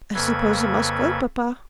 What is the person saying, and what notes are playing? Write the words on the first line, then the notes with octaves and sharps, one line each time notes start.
"I suppose I must go, papa?"
F2 C#3 A#3 A4 B4 G#6